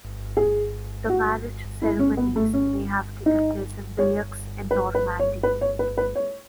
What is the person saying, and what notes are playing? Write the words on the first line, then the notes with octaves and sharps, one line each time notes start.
The marriage ceremonies may have taken place in Bayeux in Normandy.
G#4
F#4
E4
C#4
B3
A3
C#4
D#4
C#5
B4
B4
C#5
B4
C#5
B4
B4
C#5